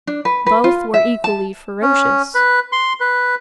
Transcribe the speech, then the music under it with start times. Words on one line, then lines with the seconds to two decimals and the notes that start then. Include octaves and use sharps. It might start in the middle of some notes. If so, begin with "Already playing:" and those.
Both were equally ferocious.
0.07 D4
0.25 B4
0.46 B4
0.64 F4
0.94 E5
1.24 A5
1.82 C#4
2.34 B4
2.72 C6
3.00 B4